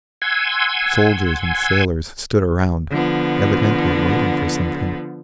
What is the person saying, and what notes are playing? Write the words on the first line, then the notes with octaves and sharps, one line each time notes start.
Soldiers and sailors stood around, evidently waiting for something.
F#5 G#5 C6 E6 G#6
D3 F3 B3